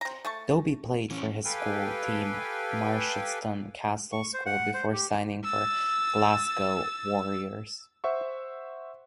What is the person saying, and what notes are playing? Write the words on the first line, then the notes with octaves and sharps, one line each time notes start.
Dobie played for his school team Merchiston Castle School before signing for Glasgow Warriors.
C4 A#5
A3 A5 C#6
E3 C#4
G4 A4 B4 F5 G5 G#5
C#6
C5
F#5
C5
G4
E6 A6
C5 E5 F#5 C#6